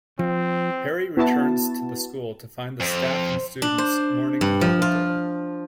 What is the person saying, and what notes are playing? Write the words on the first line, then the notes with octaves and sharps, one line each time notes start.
Harry returns to the school to find the staff and students mourning Dumbledore.
F3 C4
B3 E4 F#4 A5
F2 C4
D4
C5
G2
F3
F4